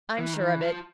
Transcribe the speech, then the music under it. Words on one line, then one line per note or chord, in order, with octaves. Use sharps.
I'm sure of it.
E3
D#3
E3
F3